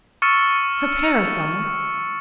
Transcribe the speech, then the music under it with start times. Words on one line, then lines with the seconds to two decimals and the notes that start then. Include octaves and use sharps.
Her parasol?
0.22 C#6 E6 F6 A6 C#7 E7